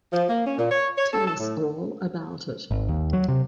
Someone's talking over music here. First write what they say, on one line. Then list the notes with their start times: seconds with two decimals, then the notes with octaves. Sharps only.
Tell us all about it.
0.13 F3
0.28 A#3
0.46 C#4
0.58 A#2
0.71 C#5
0.98 C#5
1.13 A4
1.26 A4
1.40 A2
2.71 G#1
2.88 D#2
3.13 F#3
3.28 C3